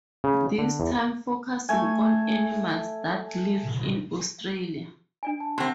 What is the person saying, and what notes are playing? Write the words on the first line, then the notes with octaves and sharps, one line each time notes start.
This time focusing on animals that live in Australia.
C#3
D3
E2
A3 G#5
D4 D5 G#5
A5
C3 C4 F#5 C6